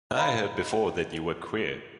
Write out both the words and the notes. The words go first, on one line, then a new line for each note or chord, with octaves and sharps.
I heard before that you were queer.
D#4 C5 D#5 F5 A#5 B5